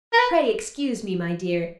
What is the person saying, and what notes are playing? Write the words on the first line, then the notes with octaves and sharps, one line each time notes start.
Pray excuse me, my dear.
A#4
B4